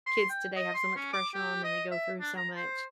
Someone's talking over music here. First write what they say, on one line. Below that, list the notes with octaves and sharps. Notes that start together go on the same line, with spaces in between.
kids today have so much pressure on 'em, and they go through so much.
C6
G5
D#5
C6
C#4
D6
G4
D#5
E5
D4
A#5
C5